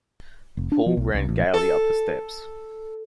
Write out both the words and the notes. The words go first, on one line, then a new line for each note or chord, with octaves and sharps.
Paul ran gaily up the steps.
F1
D4
F3
B1
C2
A1
A4